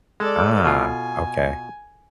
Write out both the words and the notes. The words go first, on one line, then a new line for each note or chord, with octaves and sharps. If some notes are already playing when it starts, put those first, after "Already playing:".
Ah, okay,
G#3 A4 D5
B2 F4 G#5